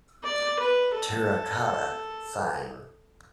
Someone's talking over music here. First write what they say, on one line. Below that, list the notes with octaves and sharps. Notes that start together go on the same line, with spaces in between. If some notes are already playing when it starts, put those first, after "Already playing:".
Terracotta Sighing.
D5
B4
A4